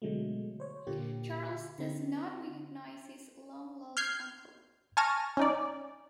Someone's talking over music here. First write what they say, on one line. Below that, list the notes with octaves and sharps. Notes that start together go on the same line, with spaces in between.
Charles does not recognise his long-lost uncle.
B2 D3 F#3 G#3 A3
C5 C#5
A#2 D3 A#3 G4
D3 C4
F6 G6 G#6 C7
G#5 A5 C#6 F6 A#6 D#7
C#4 D#4 D5